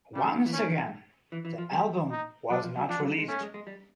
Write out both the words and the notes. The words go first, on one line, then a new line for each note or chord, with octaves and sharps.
Once again, the album was not released.
C#3 G3
E3
D#3 C#4
E3
E3
F3
G3
D#4
F#3 D4
F3
F#3
F3 D4
F#3
G3
G#3
A3 C#4
G#3
G#3
G3